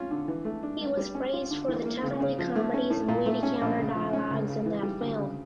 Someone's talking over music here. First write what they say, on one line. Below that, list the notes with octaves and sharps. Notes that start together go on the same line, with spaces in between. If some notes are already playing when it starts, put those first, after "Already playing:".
He was praised for the timely comedies and witty counter dialogues in that film.
Already playing: C#4 F4
D3
E3
A3
D4
G2
G3
C#4
F4
D3
E3
A#3
C#3
C#3
F3
A3
C#4
A2
A#2
A3
C#4
A#1
C#3
F3
C#4
C#2
C#3
E3
G3
D2
C#3